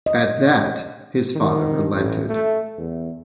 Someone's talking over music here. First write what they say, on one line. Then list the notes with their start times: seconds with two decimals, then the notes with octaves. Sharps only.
At that, his father relented.
0.06 D#5
1.35 D#3
1.92 A1
2.29 A3
2.78 E2